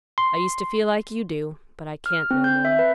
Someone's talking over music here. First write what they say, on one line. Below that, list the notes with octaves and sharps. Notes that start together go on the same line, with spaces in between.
I used to feel like you do, but I can't no more.
C6
F6
C4
G6
E5
B4